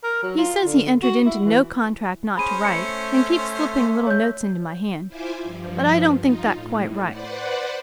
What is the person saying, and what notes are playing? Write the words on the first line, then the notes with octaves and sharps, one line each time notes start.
He says he entered into no contract not to write, and keeps slipping little notes into my hand; but I don't think that quite right.
A#4
F#3
F4
D3
F#4
E4
E3
C#4 G#4 C5 B5 D#7
A3 C#7
C#5 G6
E4 F4 C5 E5 G#5 D6
G2 F3
D#4 F4
A2
B4 C5 D5 F#5